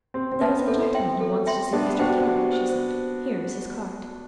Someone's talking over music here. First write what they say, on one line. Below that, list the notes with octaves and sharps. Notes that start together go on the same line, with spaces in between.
"There's a gentleman who wants to see Mr. Kara," she said, "here is his card."
C4 G4
C4
B3 B4 E5 A5
C4 A4
E5 G5 C6
A4
E5 G5 C6
B3 D4 G4
D4 F#4 C5 G5
G4
C5